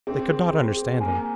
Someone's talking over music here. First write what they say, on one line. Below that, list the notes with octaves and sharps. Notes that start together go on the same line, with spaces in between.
They could not understand him.
C4 G#4
G#4
G#4
G#4
A#3 G#5